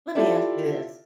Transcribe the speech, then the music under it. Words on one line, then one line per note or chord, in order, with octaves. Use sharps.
Let me ask you this
E4 F4 G4 A4 D5 E5